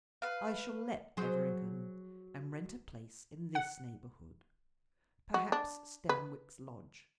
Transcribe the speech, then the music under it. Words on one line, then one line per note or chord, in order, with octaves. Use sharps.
I shall let Everingham, and rent a place in this neighbourhood; perhaps Stanwix Lodge.
B4 F5
F#3 G#4 C5
F#5
F#4
D4
B4